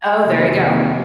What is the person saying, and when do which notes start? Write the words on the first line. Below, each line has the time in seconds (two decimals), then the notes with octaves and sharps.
Oh, there you go.
0.21 F2 C3 D#3 A#3
0.53 F2 C3 D#3